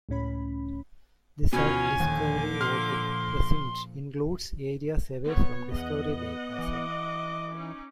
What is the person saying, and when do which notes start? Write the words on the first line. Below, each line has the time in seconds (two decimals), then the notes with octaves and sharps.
The South Discovery voting precinct includes areas away from Discovery Bay, as well.
0.09 C#2 A2 C#4 B5
1.53 D2 B2 E3 C#4 F4 G#5
2.00 D#2 A#2 D3 F3 D6
2.61 C6 F6
5.26 B3 C#5
5.71 E2 D#5 F#5
6.58 E3 D6
7.54 C#4 D#4